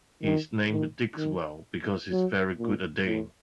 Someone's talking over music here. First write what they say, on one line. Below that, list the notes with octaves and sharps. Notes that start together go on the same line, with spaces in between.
He is named Digswell because he is very good at digging.
D#3
D#3
D#3
F#3
A#2
A2